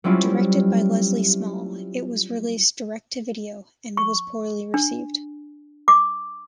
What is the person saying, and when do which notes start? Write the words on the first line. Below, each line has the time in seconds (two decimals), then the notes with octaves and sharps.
Directed by Leslie Small, it was released direct-to-video, and was poorly received.
0.04 F#3 G3 C4 C#4 E4 F4
3.97 C#6
4.74 D4
5.88 D6